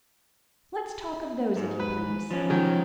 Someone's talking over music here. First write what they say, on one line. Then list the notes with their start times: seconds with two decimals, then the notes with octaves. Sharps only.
Let us talk of those, if you please.
1.57 G#2
1.80 B4
2.31 F3 C#4
2.50 D#3 F#3 G#3